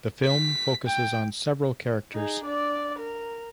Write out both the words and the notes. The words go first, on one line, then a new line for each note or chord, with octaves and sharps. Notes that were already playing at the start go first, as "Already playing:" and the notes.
The film focuses on several characters.
B6
G5
D#4 G#4
D4 D5
A#4